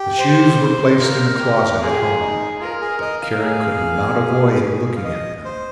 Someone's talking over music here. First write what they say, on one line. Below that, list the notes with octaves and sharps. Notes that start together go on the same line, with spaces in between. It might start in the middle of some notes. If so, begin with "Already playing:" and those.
The shoes were placed in a closet at home, but Karen could not avoid looking at them.
Already playing: G4
C5
F4 A#4
G4
F4 G#4
G4
F4
D#4
F4 A#4
G#4
D#5
F5
G#4
F5
D#5
C5